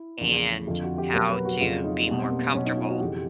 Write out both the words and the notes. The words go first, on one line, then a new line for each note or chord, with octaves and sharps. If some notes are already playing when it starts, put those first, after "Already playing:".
and how to be more comfortable
Already playing: E4
E2 C#3 F3
F2 D3 F3 F4
F#4
G4
B2 F#3 A#4
B4
F#4
F2 C#3 F#3 F4
D#4
B2 G3
C4
A#3
C4
B2 F#3 C#4
D#4
F4
F#4
F2 C#3 E3 G4